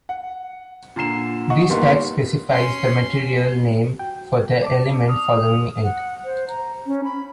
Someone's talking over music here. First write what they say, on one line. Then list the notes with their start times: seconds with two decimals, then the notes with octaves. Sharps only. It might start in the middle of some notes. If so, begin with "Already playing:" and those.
This tag specifies the material name for the element following it.
0.09 F#5
0.96 A#2 D3 A#5 C7 E7
1.50 D#5 F#5 C#6
1.70 G1 G3 A#3 B3 D#4 C6
2.50 C#4 C6
3.99 F#4 G5
4.62 D5 A5 D6
5.08 D#6 F6
5.83 F#5
6.25 C5
6.48 A#5
6.86 C#4
7.04 B5